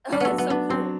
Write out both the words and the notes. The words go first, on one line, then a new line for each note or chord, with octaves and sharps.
Oh, that's so cool.
G3 D4
A3 B3
F#3
B3
B3 D4
F#3 C4